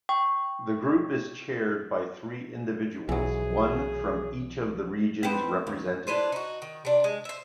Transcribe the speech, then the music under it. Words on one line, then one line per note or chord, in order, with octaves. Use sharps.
The group is chaired by three individuals, one from each of the regions represented.
G5 C#6
B1 E3 F#3 G#4
B3 C4
D#2
D4 E4 B4 C5
D#4 F#4
D#3
C3 D4
G#3
C5 E5